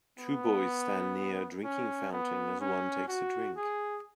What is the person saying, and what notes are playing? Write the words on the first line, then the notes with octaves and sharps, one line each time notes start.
Two boys stand near a drinking fountain as one takes a drink.
B3
C#4
B3
C#4
F#4
G#4